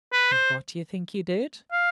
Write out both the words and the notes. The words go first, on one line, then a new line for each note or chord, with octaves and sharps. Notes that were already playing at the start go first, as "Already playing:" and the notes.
And what do you think he did?
B4
C5
F5